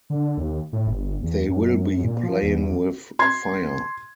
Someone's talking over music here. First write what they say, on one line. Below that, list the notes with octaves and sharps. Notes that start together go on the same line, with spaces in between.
They will be playing with fire.
D3
D#2
A2
G1
E2
F#2
A#2
F3
E2
C6 G#6